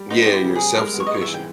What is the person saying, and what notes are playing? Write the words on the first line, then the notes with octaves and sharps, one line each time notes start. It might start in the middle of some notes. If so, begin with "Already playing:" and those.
Yeah. You're self-sufficient.
Already playing: G3
B3 D#4
D#4 G4
E4
C#3
G#4
G3
G#3 A#4
B3
C#5
D#5
G#2 C#5
E5
E3
G5